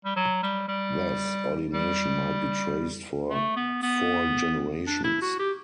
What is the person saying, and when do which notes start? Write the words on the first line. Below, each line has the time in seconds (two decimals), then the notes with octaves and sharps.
Thus ordination might be traced for four generations.
0.05 G3
0.16 F#3
0.43 G3
0.68 G3
1.73 G3
3.30 A3
3.56 B3
3.82 B3
4.87 D4
5.04 E4
5.22 F#4
5.39 G4